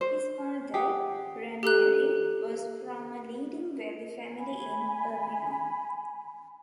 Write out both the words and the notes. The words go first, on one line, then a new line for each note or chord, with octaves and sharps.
His father, Ranieri, was from a leading wealthy family in Urbino.
C5
G4 G#4 F#5
G4 A4 A#5 F#6
G#5 B5